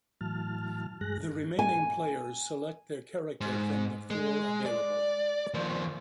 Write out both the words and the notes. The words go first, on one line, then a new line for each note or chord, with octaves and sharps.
The remaining players select their character from the four available.
A2 E3 F#3 A5 F6
G2 G#3 G#4 F#6 A#6
G#5
G#2
G#3
D5
D#2 F3